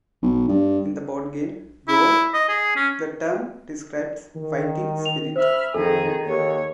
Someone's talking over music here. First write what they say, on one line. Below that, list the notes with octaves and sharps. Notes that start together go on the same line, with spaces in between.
In the board game "Go" the term describes fighting spirit.
B1
G2
E4
D#5
G#4
C#4
D#3
F7
C5 E5 B5 F6
F2 D#3 G#4 A4
D#2 C#5